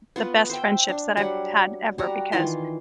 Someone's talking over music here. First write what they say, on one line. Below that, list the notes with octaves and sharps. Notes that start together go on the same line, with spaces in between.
the best friendships that I've had ever because,
B3 F4 B4
C5 E5 G5
D4
F#3 G3 F#5
G3 F#4 A#5
D#3 E3 F4 C6